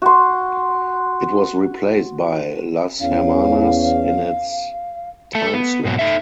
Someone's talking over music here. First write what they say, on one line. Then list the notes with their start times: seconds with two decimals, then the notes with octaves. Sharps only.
It was replaced by "Las Hermanas" in its timeslot.
0.02 F#4 C6
3.01 E2 C#4 F5
5.35 A3 A4
5.54 B3
5.85 G#2 B2 F#3
5.99 D#4 A4 E5